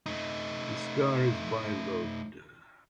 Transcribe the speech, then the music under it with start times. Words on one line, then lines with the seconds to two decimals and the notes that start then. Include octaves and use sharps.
The scar is bilobed.
0.06 A3 D#4